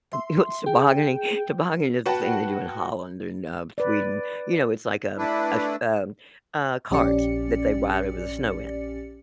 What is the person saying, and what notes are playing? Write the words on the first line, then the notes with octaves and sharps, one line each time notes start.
Th what's tobogganing? Tobogganing is the thing they do in Holland, and, um, Sweden. You know, it's like, um, uh, ch um, a cart that they ride over the snow in.
E5 C6
G#4 G5
F#4 B4 F#5 G5 A5
B4 D5
A3 D4 E4 B4
A#1 C#4 G4 D5 C#7